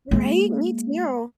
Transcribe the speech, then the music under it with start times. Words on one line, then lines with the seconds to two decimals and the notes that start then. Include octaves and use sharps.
Right? Me too.
0.11 G#3 A#3